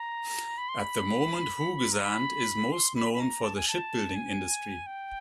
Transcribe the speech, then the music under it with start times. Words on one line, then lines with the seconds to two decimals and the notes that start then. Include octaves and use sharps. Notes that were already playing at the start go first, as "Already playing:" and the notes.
At the moment Hoogezand is most known for the shipbuilding industry.
Already playing: A#5
0.58 B5
0.69 C6
0.79 B5
1.92 A#5
2.01 B5
2.72 C6
2.96 B5
3.14 B5
3.20 A#5
3.44 A5
3.56 G#5
3.68 A5
4.15 G#5
4.86 G5